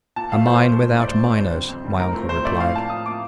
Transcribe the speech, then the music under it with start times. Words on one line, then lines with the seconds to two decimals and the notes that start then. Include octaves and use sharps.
"A mine without miners," my uncle replied.
0.16 A#2 A5
0.32 F3 A3 F5
0.47 A#2 C5
0.62 F3 A3
0.77 A2
0.93 A3 D4
1.01 D5
1.07 A2 C5
1.24 A3 D4
1.38 F2 C5
1.53 D3 G3
1.69 F2
1.84 D3 G3
2.00 A2 A#4
2.14 F3 A3 C4
2.29 A2 C5
2.44 F3 A3 C4 D5
2.60 A2 F5
2.75 F3 A#3 A5
2.90 A2 D#6
3.06 F3 A#3 D6